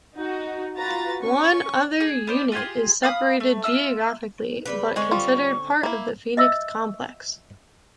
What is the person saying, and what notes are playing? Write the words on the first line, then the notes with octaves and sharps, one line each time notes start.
One other unit is separated geographically but considered part of the Phoenix Complex.
D#4 F#4
F4 F#4 B4 A#5 A6
C#4 C#6
G#4
B3 C5 D5
F4 G4 G#4 C6
F5 B5 D#6
A3
F4 E5 E6
C#3 G3 B4
D3 G#3 C4 C#4 C#6
G3 F4
A#3 E4
D#5 E5 E6